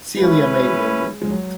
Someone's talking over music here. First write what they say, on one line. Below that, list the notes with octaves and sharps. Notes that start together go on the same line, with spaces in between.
Celia made no movement.
G#3 C#4 E4 B4
G#3
F#3